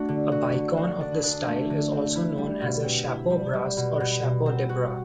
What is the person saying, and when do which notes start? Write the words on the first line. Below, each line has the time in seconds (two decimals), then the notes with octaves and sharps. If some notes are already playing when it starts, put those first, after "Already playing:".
A bicorne of this style is also known as a "chapeau-bras" or "chapeau-de-bras".
Already playing: A3 D4 F#4
0.09 D3
0.32 F#4
0.55 D3
0.77 F#4
1.01 D4
1.23 D4
1.47 A3
1.70 D3
1.92 C4
2.16 E4
2.38 G3
2.61 B2
2.84 C4
3.08 E4
3.30 G3
3.54 G3
3.77 B2
4.00 B2
4.22 B2
4.46 C4
4.69 F#4